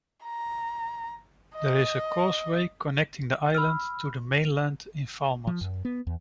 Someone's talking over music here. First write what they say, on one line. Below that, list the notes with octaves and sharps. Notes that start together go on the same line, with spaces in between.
There is a causeway connecting the island to the mainland in Falmouth.
A#5
D#5
B5 E6 F6
F3
F#2
B3
E2